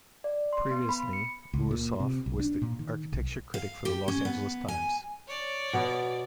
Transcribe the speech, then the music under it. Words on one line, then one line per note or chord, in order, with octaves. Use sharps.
Previously, Ouroussoff was the architecture critic for the "Los Angeles Times".
D5
C6
B3
B5
C#7
C#2
A#2
C3
B1
D4
A#2
D#3
B1
F5
G4
C#4
B3
G#5
C#5 D5
B2 B3